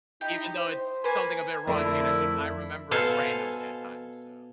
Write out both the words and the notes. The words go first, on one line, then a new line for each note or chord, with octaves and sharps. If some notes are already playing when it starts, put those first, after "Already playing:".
Even though it's something a bit raunchy and I should I remember it randomly at times, so
D#4 E4 G4
C5
A#3 B4 G#5
F2 D3 A3 E4 A#4
B2 A4 C5 F5 G#5